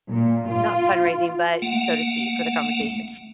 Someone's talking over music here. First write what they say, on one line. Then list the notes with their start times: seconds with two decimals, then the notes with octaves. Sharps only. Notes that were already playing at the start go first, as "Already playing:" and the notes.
not fundraising, but so to speak, for the conversation,
0.10 A#2
0.51 F4
1.62 A3 A#3 F#5